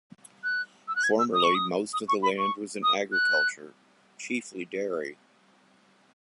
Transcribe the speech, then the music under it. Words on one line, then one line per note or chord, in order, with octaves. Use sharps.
Formerly most of the land was in agriculture, chiefly dairy.
F#6
E6
F#6
G#6
E6
D#6
C#6
D#6
D#6
C#6
B5
C#6
D#6
F#6